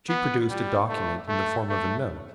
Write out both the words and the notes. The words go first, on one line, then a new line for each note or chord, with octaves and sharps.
She produced a document in the form of a note.
B3
G3
A3
A3
A3